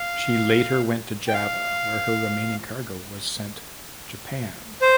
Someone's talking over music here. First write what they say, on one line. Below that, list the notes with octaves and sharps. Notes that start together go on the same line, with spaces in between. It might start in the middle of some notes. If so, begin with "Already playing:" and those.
She later went to Java where her remaining cargo was sent Japan.
Already playing: F5
G5
F5
C5